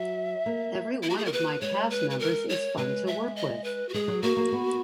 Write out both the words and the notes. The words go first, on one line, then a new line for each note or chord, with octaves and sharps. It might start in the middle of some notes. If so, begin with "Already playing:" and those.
Every one of my cast members is fun to work with.
Already playing: F#3 E5
A#3
E4
F#4
G#4
A#4
B4
G#3 C#5
B4
B4
A#4
C#5
G#3 B4
E5
D#5
B4
F#4
G#3 G#4
F#3
A#3 F#4
A#3
B3